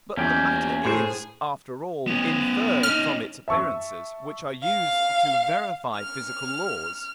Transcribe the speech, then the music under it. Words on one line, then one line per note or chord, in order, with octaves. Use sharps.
But the matter is, after all, inferred from its appearances, which are used to VERIFY physical laws.
E2 A#2 C#4 G4 G5
A2 G#4 C5
B3 C#4
C#4 D#4 F6
E5 A5 C#6 E6
F5
F6